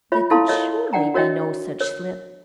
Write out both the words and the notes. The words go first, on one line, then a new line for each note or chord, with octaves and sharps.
There could surely be no such slip!
F4 C#5 E5 B5
E4 A4 F5 A5 C6
A4 A#4 C#5 D#5 E5
D4 D5 F#5 G5 A#5
F#4 A#4 C#5 D#5 E5 G5
A#4 C#5